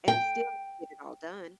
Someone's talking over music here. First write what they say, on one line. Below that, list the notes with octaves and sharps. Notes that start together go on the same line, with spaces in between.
and still get it all done.
G5